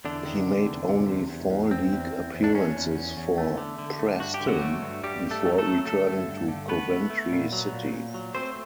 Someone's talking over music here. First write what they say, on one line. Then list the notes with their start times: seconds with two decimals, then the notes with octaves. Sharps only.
He made only four league appearances for Preston before returning to Coventry City.
0.05 E2 D3 D4
0.26 D#3
0.47 C3
0.67 E2
0.89 C3
1.09 E2
1.29 E2
1.50 E2
1.71 E2 C4
1.93 E2
2.13 E2
2.34 E2
2.44 D4
2.54 E2 C#4
2.75 E2
2.96 E2
3.17 E2
3.38 A3
3.57 D3
3.79 D3
3.99 A3
4.20 G2 F#4
4.34 G4
4.41 D3
4.48 F#3 F#4
4.61 A3
4.82 G2
5.04 G2 G3 G4
5.24 G2
5.31 A3 A4
5.45 F#3
5.58 A3 A4
5.66 F#3
5.86 D3 A3 A4
6.07 G2
6.28 G2
6.48 D3
6.68 A3 B3 B4
6.90 A3
7.10 A3
7.32 A#2
7.53 F#3
7.73 A#2
7.93 A#2
8.14 F#3
8.35 A3 C4 C5